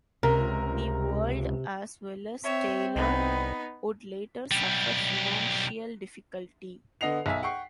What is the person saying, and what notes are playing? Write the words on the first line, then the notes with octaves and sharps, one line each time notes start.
"The World", as well as Taylor, would later suffer financial difficulty.
C#2 C3 A#4
C4 C#5 E5
C2 B3 D#4
B1 G3
D3 B3 D#5 F#5 C7 F7
B1 E5 G#5 B6
F#5 G5 C#6 C7